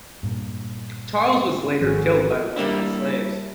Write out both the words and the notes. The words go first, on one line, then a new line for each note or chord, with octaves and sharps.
Charles was later killed by one of his slaves.
G2 A#2
G#1 D#3 F3 F#4 G#4 A4
G3 A#3 D4 E4